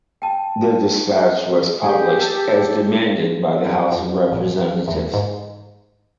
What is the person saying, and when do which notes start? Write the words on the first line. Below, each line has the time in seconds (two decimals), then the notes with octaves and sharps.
The dispatch was published as demanded by the House of Representatives.
0.22 G5 A5
1.83 G4 G#4
2.20 A4
3.92 F2
4.32 A#1
4.88 E2
5.14 G#2